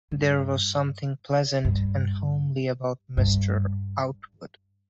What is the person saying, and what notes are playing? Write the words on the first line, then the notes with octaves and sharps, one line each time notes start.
There was something pleasant and homely about Mr. Outwood.
G2
G2
G2